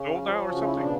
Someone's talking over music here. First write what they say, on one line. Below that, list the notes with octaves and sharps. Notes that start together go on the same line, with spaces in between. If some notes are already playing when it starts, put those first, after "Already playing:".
old now or something.
Already playing: C#3 C#4
F3
C#3 F#4
F4
E4
D#4
B2 D4